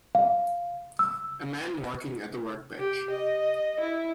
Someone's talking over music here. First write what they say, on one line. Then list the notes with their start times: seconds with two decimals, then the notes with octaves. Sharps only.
A man working at a workbench.
0.15 F5
0.99 E6
2.79 G4
3.11 D#5
3.81 E4